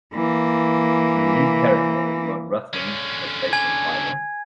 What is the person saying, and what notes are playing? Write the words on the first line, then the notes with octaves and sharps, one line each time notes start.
The lead character, Lord Ruthven, was based on Byron.
E3 A#3
D3 C#4
G#5 G#6